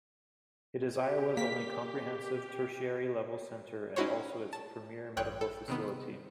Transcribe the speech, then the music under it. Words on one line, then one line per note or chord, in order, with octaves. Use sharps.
It is Iowa's only comprehensive, tertiary-level center and also its premier medical facility.
G4
A#3 B6
C#4 D#4 E4 F#4 C5 C#5
A5
A1 G2 C#5 G5 F#6
A4
C3 D#3 B3